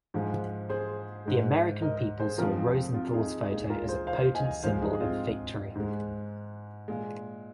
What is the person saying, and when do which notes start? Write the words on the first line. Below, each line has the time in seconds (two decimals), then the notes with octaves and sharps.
The American people saw Rosenthal's photo as a potent symbol of victory.
0.14 G#2 F3 G#3
0.69 G#4 C5
1.26 G#2 G#3
1.82 A#4 D#5
2.20 G#4 C5
2.38 F2 F3 G#3 F4 A#4
2.57 C4
2.94 C4 F4
3.13 D#4 G#4
3.51 A#2 G#3 D#4 G#4
3.70 F4 A#4
3.88 G#4 C5
4.07 C5 F5
4.35 D#5 G#5
4.63 G#2 F3 G#3 C5 F5
4.81 D#4 G#4
4.93 G#4
5.01 C4 F4
5.75 G#2 G#3
6.88 A#2 G#3